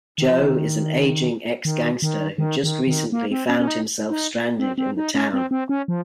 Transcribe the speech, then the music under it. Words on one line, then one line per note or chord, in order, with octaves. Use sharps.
Jo is an aging ex-gangster who just recently found himself stranded in the town.
D#3
F3
D#3
D#3
D#3
D#3
D#3
D#3
A#3
C4
C#4
C#4
D#4
D#4
C4
C4
D#4
C#4
C4
C4
C#4
F3